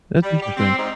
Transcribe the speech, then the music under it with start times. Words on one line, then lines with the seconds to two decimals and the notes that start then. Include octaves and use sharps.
That's interesting.
0.23 G3
0.42 G4
0.57 C4
0.78 G#2